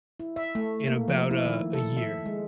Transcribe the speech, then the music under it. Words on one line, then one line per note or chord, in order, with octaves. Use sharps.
in about a a year.
E4
E5
A3
A#3
F3
E4
D#3
A4
E5
G#3